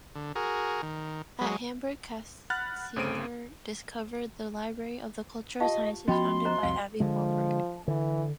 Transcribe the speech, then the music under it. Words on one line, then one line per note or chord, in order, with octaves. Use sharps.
At Hamburg Cassirer discovered the Library of the Cultural Sciences founded by Aby Warburg.
D3
F#4 G#4 A#4
D#3
F#3 G#3
F#5 B5 F6 F#6 A6
G1 C#3 C4 C5 D7 D#7
F4 G4 D#5 F5 A5
F3 B3 C#4 F#4 D#5 G5 B5 C6
C5 D#5 A#5
C2 F2 C3 F5
D3 F3 G#3
D3 E3